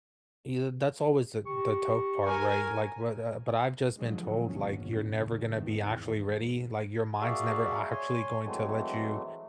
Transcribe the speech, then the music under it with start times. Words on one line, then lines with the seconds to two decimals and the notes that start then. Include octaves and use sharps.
You'd that's always the the tough part, right? Like, what, uh but I've just been told, like, "You're never gonna be actually ready," like, "Your mind's never actually going to let you
1.47 G4 C#6
2.26 A#4 G#5
3.97 D3 F3 F#3 G#3
4.46 G1 D#2 A#2 C#4
5.16 D#2 C#3
5.49 G#1 E2 D#3 E3
6.04 G#2
7.21 A#3 F#4 G#4 D5 E5 F5
7.90 C#5 G#5 C6
8.45 E3 F#3 G#3 A3 C4